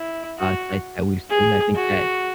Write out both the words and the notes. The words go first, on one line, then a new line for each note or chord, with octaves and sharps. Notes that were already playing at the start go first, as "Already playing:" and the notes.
uh, sites that we've seen, I think that,
Already playing: E4
F#4
G#4
F#4